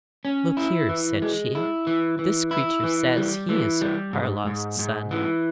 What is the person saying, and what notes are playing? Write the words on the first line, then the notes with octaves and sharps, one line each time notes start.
'Look here,' said she, 'this creature says he is our lost son.
C#4
E4
E3
G#3
E4
E3
E3
E4
E3
G3
E3
G3
G#2
G#2
G#2
E3